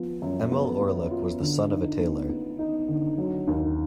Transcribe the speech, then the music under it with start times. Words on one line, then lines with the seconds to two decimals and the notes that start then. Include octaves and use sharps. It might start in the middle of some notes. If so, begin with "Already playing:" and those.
Emil Orlik was the son of a tailor.
Already playing: F3 B3
0.22 F#2
0.52 B3
0.81 B3
1.11 F4
1.40 D3
1.70 D#4
2.00 B3
2.29 B3
2.59 D#4
2.88 D3
3.18 F#3
3.47 D#2